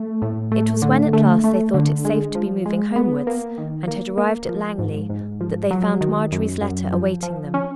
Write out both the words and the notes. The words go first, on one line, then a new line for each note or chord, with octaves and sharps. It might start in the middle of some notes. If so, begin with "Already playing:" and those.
It was when at last they thought it safe to be moving homewards, and had arrived at Langley, that they found Marjorie's letter awaiting them.
Already playing: A3
A2
A3
D3
A3
A3
D3
G#3
F3
G#3
B3
A#3
D#3
A#3
A#3
F3
G#2
G#2
F3
F#3
D#3
F#2
F#2
F3
F3
C#4